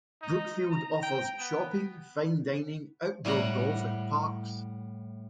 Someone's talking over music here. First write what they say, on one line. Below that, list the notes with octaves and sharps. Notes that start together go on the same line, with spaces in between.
Brookfield offers shopping, fine dining, outdoor golf and parks.
D#4
A#5
G5
B3
A2 G3 F#5 A#5